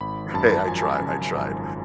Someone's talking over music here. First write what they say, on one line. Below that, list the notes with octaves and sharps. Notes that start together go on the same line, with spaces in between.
Hey, I tried, I tried.
G#1 B5
F#2 A5
F3 G#5
C#3
G#1